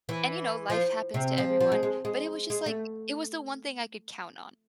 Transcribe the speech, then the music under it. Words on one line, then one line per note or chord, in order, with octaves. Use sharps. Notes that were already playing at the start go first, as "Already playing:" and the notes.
and you know life happens to everyone, but it was just, like, it was the one thing I could count on,
E3
F3
C3
F3
F3
G#3
G#3
G#3
G#3
A3